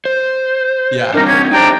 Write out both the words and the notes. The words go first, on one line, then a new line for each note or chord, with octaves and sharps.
Yeah, it's
C5
G3 C4 D4 D#4 A#4
C#4 G#6
D4 D#4 G4 C5 G5 A#5